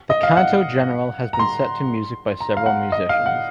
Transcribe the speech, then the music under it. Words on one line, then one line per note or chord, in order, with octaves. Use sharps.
The "Canto General" has been set to music by several musicians.
D#5
F5
F#5
A#5
C6
A#5
F5
F#5
D#5
F5
F#5